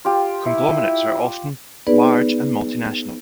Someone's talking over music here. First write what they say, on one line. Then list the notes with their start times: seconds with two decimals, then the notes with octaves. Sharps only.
Conglomerates are often large and multinational.
0.05 F4 G4
0.46 E4
1.87 B3 D#4 G#4 B4 D5